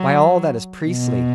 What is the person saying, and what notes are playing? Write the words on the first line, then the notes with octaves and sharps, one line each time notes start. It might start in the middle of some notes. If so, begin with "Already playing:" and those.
By all that is priestly!
Already playing: F#3
B2